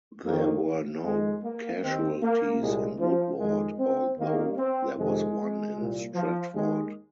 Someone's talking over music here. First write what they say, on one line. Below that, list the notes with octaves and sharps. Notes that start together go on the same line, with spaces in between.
There were no casualties in Woodward, although there was one in Stratford.
F2 D#3 A#3
F2 D#3 G#3
A#3
D#2 D#3 C4
A#3
C2 A#2 G#3
F3
F2 D#3 G#3
C4
D#2 D#3 A#3
C4
F2 C3 D#3 G#3
C2 A#2
F3
D#2 D#3 G#3